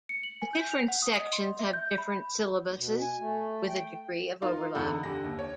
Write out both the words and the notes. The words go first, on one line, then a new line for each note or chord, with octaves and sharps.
The different sections have different syllabuses with a degree of overlap.
C#7
F#7
G#5
G6
F7
F#5
D#6
D#5
C6
E5
G6
B5
D#2
B2
G#5
A3
G5
D#4 F4 A#4 F5 C6
E2 D3 D#4 A4 F#5 B5
D3 G4 A#6
D#2
C#5